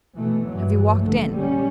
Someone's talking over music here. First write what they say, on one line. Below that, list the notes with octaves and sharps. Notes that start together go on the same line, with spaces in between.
Have you walked in!...
B2 E3 A3
G2 E3 F#3
A#1 D3 A3
G3 C#4